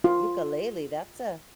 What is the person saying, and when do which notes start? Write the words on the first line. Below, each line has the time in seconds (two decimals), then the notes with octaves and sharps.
Ukulele, that's a
0.04 F4